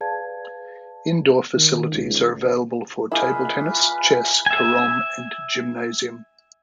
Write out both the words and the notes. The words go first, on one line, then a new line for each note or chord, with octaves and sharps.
Indoor facilities are available for table tennis, chess, carom and gymnasium.
G#4 B4 D5 F5 A5 G#6
D#3
C#2
A#3 E4 F4 G#4 B4 D#5 E5 B5
E5 G#5